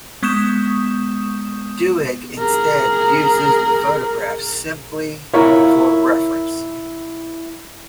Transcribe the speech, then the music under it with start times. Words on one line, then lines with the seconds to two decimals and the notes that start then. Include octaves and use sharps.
Doig instead uses the photographs simply for reference.
0.23 G#3 B3 C#6 D#6 G6 E7
2.38 G#4 A#4
5.34 E4 F4 A#4 C#5